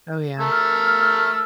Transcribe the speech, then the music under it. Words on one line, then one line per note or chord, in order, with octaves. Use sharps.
Oh, yeah.
A3 A#4 E6
F6